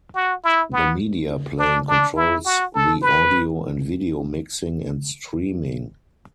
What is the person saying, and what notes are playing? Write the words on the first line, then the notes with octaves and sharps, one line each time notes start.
The Media Plane controls the audio and video mixing and streaming.
F#4
E4
B3
D4
D4
E4
F#4
A4
B4